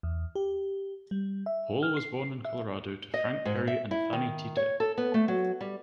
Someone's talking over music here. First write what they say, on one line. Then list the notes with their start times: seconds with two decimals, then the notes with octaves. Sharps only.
Paul was born in Colorado to Frank Perry and Fanny Teeter.
0.03 E2
0.35 G4
1.11 G3
1.46 E5
1.83 F6
1.97 C7
2.45 E5
3.14 D#5
3.45 G#2
3.67 E5
3.91 E4
4.13 D#3
4.57 C#5
4.80 A4
4.98 B3
5.14 A3
5.28 F#3
5.61 G3